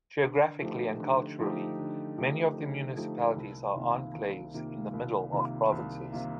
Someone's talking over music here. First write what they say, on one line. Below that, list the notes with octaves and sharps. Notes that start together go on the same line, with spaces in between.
Geographically and culturally, many of the municipalities are enclaves in the middle of provinces.
D3
F3 A3 D#4 G4
D3
F3 A3 D#4 G4
D3
F3 A3 D#4 G4
D3
F3 A3 D#4 G4
C2
C3 D#3 A#3 F4
C2
C3 D#3 A#3 F4
C2
C3 D#3 A#3 F4
C2
C3 D#3 A#3 F4